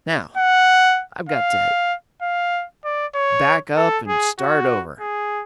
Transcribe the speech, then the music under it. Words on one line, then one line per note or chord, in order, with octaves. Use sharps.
Now, I've got to back up and start over.
F#5
F5
F5
D5
C#5
A4
G#4
F#4
G#4